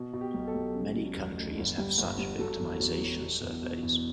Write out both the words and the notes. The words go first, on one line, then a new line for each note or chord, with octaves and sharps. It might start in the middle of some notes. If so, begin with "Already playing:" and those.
Many countries have such victimization surveys.
Already playing: B2
B2
G4
B1
A4
B1
C#3
F#3
E1
D2
G1
G3
G1
G3
F#3 A4
E2
F#3
F#3
B2
E2
B2
E2